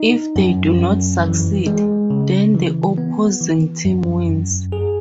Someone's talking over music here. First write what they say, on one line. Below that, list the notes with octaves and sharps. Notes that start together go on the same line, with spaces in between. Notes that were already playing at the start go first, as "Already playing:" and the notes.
If they do not succeed, then the opposing team wins.
Already playing: D#4
F#2
F#2
E3
G#3
C#3
E3
B3
E3
F#2
F#2
G#4